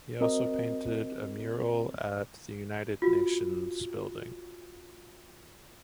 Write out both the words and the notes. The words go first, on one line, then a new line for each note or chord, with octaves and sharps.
He also painted a mural at the United Nations building.
C4 F#4 A#4 D#5
F4 F#4